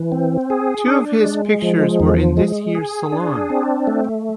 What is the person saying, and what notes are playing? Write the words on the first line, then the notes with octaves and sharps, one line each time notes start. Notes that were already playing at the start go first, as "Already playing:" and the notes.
Two of his pictures were in this year's Salon.
Already playing: E3
C4
G#4
D4
G#3
F3
E2
G#3
G#4
D4
C4
A3